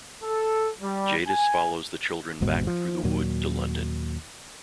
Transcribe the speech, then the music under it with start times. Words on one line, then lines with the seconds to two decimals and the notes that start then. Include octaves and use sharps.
Jadis follows the children back through the Wood to London.
0.24 A4
0.81 G3
1.28 G#5
2.41 G#1 E2 G#2 B2
2.67 F3
3.03 D#2 A#2 F#3